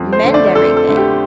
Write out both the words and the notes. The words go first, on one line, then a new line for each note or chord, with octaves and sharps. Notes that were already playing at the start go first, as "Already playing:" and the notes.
mend everything,
Already playing: F2
C5
D3 A3
D5
F2 A4
A4
D3 A3
G4